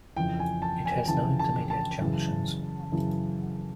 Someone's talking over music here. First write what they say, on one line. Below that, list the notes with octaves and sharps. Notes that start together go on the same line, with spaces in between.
It has no intermediate junctions.
F2 C#3 E3 G5
G#5
A5
G#5
F2 C#3 E3 A5
A5
A5
F#2 C#3 E3
F#2 C#3 E3